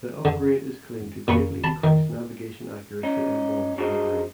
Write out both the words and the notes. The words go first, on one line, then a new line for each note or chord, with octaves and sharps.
The upgrade is claimed to greatly increase navigation accuracy and bomb delivery.
D3
A#2 B5 C#6
A5 B5
D#3
C#4 D#4
D4 F#4 G#4 A#4 C5 D#5